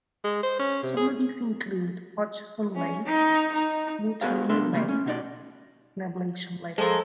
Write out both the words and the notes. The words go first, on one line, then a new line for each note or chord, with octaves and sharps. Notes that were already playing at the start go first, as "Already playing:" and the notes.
Some of these include Hodgson Lake, Moutonnee Lake and Ablation Lake.
G#3
C5
C#4
C3
G#4
C#4
D#4
D#4
B3 F#4 G#4 A#4 C5 F5
C#2 B3 D4 A#4 E5 C6
C#3 G3 A3 A#3
C#4
B2 D#4 D5
F3 G#3 A4 A#4